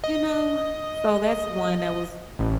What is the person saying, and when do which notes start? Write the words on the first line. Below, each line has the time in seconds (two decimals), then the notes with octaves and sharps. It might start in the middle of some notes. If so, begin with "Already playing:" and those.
You know? So, that's one that was
0.04 D#5
2.39 A1